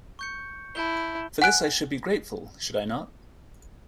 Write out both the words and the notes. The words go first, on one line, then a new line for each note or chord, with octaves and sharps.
For this I should be grateful, should I not?
C#6 G6 C#7
E4 A5 G6 G7
F#5 G#5 F#6 D7